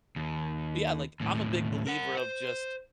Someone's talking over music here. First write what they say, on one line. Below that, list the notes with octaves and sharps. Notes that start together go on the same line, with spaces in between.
but yeah, like, I'm a big believer of just
D#2
D#2 A2
A#4 F#5
C5